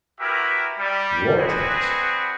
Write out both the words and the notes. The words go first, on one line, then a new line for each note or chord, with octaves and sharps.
War trumpets!
E4 F#4 G4 A#4 B4 E5
G3
C4 D4 F#4 G#4 B4